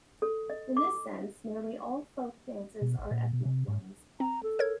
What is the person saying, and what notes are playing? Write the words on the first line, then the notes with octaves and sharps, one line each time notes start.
In this sense, nearly all folk dances are ethnic ones.
A4
D#5
D6
B2
A1
A#2
B2
C3
G#2
C4 A#5
A4
A#4 C#5 G#6